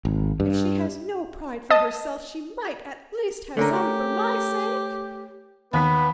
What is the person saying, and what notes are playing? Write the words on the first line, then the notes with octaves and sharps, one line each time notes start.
If she has no pride for herself she might at least have some for my sake!
G#1
G2
D#5 A5 D#6
D3 A3 C#4 A#4
G4
D#2 B3 B4 B6